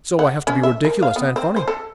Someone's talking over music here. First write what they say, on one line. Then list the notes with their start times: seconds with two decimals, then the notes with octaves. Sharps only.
So I have to be ridiculous and funny.
0.19 F#5
0.47 C#4
0.63 E5
0.85 A#4
1.02 F5
1.16 B3
1.36 C4
1.56 C5
1.68 A4